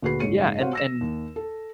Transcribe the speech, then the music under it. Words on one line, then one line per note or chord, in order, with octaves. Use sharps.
yeah, and and
D2 A#2 F#4 G#4 B4 C7
F#1 G#2 G#3 C#5 C#7 D#7
F#4 C5 C#5 F5 F#5
E6 A#6 E7
D#2
A4